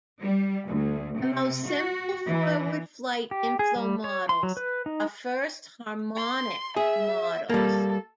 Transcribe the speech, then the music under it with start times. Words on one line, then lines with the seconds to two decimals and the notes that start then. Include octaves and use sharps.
The most simple forward flight inflow models are first harmonic models.
0.21 G3
0.66 D2
1.18 C3
1.65 F#4
2.27 E3
3.31 G4
3.59 G#4
3.76 G3
4.04 C#5
4.29 C6
4.43 F#3
4.57 B4
4.86 D#4
6.17 C6
6.76 G#4 E5
7.49 G3 A#3 A4